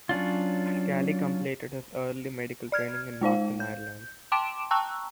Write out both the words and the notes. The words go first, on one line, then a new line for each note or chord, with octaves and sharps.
Scally completed his early medical training in Northern Ireland.
F#3 C#4 D4 F4
D5 F6 G#6
G#3 D#4 C5 F5
G6
G5 A5 C6 D6 D7 E7
G5 A5 A#5 C#6 E6 F#6